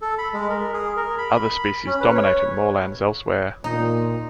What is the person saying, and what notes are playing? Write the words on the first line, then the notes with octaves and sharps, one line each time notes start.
Other species dominate in moorlands elsewhere.
A4
B5
G#3
A#4
G#4
A#4
B5
C#4
B4
C#5
A#2 D#4